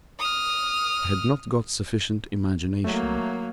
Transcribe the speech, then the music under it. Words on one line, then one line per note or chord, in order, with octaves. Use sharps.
I had not got sufficient imagination.
D#6 F6
F#3 A3 A#3